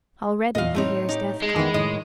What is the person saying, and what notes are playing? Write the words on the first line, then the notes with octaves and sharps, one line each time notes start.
Already he hears death calling.
E2 A#2 D#5 F5
A2 A3 C4 D#4 C#5
D#4 G4
G#3
D#3 B3
A2 D#3 D#5